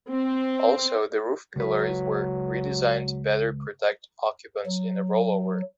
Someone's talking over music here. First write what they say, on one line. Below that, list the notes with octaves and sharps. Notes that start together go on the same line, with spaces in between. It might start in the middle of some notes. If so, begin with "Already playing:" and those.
Also, the roof pillars were redesigned to better protect occupants in a rollover.
C4
C#2 F#3 B4
F#3